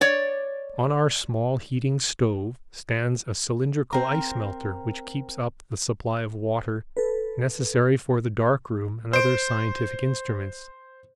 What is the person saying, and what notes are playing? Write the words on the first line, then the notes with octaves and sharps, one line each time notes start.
On our small heating stove stands a cylindrical ice melter which keeps up the supply of water necessary for the dark room and other scientific instruments.
C#5 D5
C4 A#4
A4 B4
C5 D7